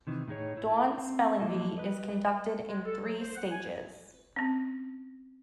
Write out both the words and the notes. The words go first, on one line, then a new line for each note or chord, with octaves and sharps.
Dawn Spelling Bee is conducted in three stages.
C3 D#3 E3
A2 D#4 G#4 C#5
E4
C4
F3 A#3 E4 F4 A4 D#5
G3 B4 D#5
G#3
A4
F#3
C5
F#5
G#5
C4 C#4